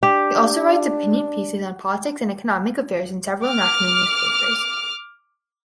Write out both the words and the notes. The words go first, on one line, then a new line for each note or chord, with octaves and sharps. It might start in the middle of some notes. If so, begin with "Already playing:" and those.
He also writes opinion pieces on politics and economic affairs in several national newspapers.
D4 G4
D6 F6